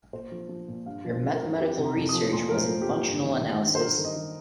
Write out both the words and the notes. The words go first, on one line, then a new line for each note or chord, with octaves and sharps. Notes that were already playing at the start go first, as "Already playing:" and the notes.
Her mathematical research was in functional analysis.
A#2 C5
F3
F3
A#2
G2 F5
F3
C5
F3
A#4
G2
F2 G4
C3
A#5
F2
D#6
F3
A#2 C6
F3 A#4
C5
F3
G4
A#2
G2
D#3
D#3
G2
C5
G2 A#4
D#3
D#5
D#3